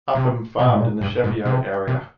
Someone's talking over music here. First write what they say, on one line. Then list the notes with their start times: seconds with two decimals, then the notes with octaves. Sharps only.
Upham farmed in the Cheviot area.
0.15 C3
0.59 C3
0.66 A#2
0.72 G#2
0.80 A#2
1.01 G2
1.24 G#2
1.45 C3
1.87 C3